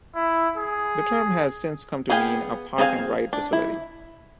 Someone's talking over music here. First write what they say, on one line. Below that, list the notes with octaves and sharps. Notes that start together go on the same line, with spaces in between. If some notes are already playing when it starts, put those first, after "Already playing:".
The term has since come to mean a park and ride facility.
E4
G#4
B3 G#4 F5 G5 G#5
C4 G#4 B4 F5 G#5
D4
E4